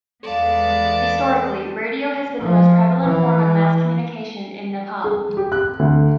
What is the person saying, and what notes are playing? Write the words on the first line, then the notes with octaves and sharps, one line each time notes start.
Historically, radio has been the most prevalent form of mass communication in Nepal.
E2 G#3 B3 A4 D5 F5 A5
F3
E3
G#4
G4
F#6
D2